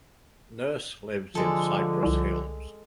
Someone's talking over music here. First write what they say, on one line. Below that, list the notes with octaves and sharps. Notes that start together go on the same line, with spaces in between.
Nurse lives in Cypress Hills.
D3 F3 G#3 A4
C2